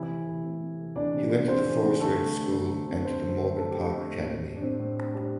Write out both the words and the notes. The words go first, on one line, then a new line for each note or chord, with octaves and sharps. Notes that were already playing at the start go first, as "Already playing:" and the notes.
He went to the Forest Ridge School and to the Morgan Park Academy.
Already playing: C3 E3 E4
A3
E3
C3
C3
A3
E3 D4 D5
C3
C3
A3 C4 C5
E3
C3
D3 A3 A4
C4
A3
D3
D3
C4
A3 C4 C5
D3
D3
C4 A4
A3 G4
A3 A4
D3
A2
C4
G3
D4
A2 C4
A2
C4
G3 D4